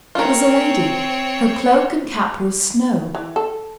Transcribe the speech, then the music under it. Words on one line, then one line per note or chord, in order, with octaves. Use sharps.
It was a lady; her cloak and cap were of snow.
C4 F4 A#4 C#5
E3
A4